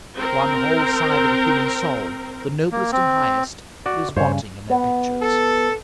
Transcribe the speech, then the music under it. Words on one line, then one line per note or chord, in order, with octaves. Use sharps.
One whole side of the human soul, the noblest and highest, is wanting in their pictures.
C4 A#4
A#3
C4
F#4 D5
G2 C#3 C5 C#5
B3
A4